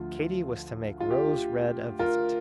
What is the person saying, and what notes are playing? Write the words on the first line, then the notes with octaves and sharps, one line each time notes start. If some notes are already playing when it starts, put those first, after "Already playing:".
Katy was to make Rose Red a visit.
Already playing: D2 D3 F3 F4
F4
G4
F4 A#4